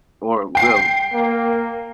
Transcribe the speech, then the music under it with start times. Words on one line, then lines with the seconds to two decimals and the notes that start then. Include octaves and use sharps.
or really
0.55 G5 C7
1.13 A#3